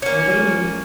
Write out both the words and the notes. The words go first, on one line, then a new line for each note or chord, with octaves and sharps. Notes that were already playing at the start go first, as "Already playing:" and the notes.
Nobody knew.
A#3 C#4